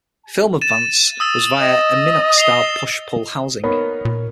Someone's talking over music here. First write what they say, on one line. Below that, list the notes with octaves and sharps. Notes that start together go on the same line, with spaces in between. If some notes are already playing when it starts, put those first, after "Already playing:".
Film advance was via a Minox-style push-pull housing.
A6 D#7 E7
D#6 E6 A6
D#5
C7 F7 G7
A#3 B3 D#4 A#4 C#5 B5
A#2